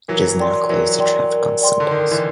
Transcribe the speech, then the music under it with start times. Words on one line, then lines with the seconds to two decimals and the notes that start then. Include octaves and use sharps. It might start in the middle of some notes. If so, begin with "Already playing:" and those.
It is now closed to traffic on Sundays.
0.08 E3 F#3 A#4
0.40 D5 G5 C6
0.69 E3 F#3 A#4
1.00 D5 G5 C6
1.31 A#4
1.61 D5 G5 C6
1.80 D3
1.91 D#3 A#4
2.11 D3 E3